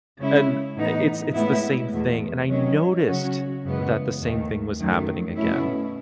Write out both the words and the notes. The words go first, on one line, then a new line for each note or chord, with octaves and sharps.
And i it's it's the same thing, and I noticed that the same thing was happening again,
C#3 G#3 C#4 E4
A2 E3 B3 D#4
A2 G#3 B3 E4
E2 B2 A3
D#3 F#3 C#4
C#3 F#3 C#4 F#4
F#2 C#3 E3 G#3 B3
D#2 D#3 A3
F#2 D#3 F#3 A3
B2 A3 C#4 E4